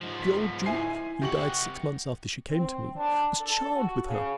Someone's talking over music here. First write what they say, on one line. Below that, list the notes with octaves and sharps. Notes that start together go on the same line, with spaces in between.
The old Duke--he died six months after she came to me--was charmed with her.
G#2 F3
B6
E4 G#5 C7
C3 G4 F#5 C#6 F#7
C4
D4
A4
F#4
C#3